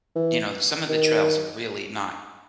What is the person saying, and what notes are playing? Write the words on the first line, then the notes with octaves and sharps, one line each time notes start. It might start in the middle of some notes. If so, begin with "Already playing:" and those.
you know, some of the trails are really not,
E3
D#3